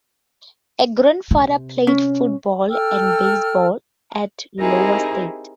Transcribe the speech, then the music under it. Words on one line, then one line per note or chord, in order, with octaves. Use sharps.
A grandfather played football and baseball at Iowa State.
C3
C#4
A4 G5 E6 F6
C4 D#4 E4 G4 G#4 A#4